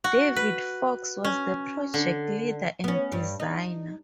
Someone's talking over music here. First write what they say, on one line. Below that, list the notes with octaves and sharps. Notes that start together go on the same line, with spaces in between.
David Fox was the project leader and designer.
F#4
B4
C#4
D3
B3 C#4
G2
D#4